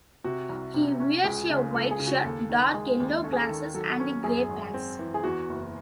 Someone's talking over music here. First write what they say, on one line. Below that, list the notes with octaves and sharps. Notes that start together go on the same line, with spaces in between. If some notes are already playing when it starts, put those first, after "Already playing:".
He wears a white shirt, dark-yellow glasses and grey pants.
C3 F#4
C2
C3
C#4
C#2 G#4
C#3
C#2 A4
G#4
C#3
F#4
D#2 A4
D#3
G#3 G#4
D#2
C#4 A4
G#4
A4
D#3
F#3 A4
C#4
F#2 G#4
G#1
C4
E3
G#4
E2 F#4
F#1